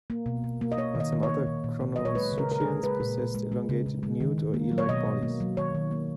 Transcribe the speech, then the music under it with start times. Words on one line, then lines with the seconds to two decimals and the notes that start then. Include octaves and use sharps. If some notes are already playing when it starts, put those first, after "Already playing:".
While some other Chroniosuchians possessed elongated newt- or eel-like bodies.
0.10 A#3
0.26 B2
0.44 B2
0.61 A#3
0.72 D#5
0.78 A#3 C#5
0.95 D#3
1.00 D#5
1.12 D#3
1.23 C#5
1.29 A#3
1.47 A#2
1.64 A#2
1.80 A#3
1.96 F#3 D#5
2.05 C#5
2.15 G#3 B4
2.32 C#3
2.38 A#4
2.49 C#3 A#4
2.60 G#4
2.66 G#3
2.83 G#3 B4
3.00 A#2
3.17 A#2
3.35 G#3
3.52 G#3
3.69 C#3
3.86 C#3
4.03 G#3
4.20 D#3
4.38 D#3
4.54 A#3
4.71 F#3
4.78 C#5
4.89 B2 D#5
5.06 B2
5.23 A#3
5.40 F#3
5.57 D#3 C#5
5.75 D#3
5.91 A#3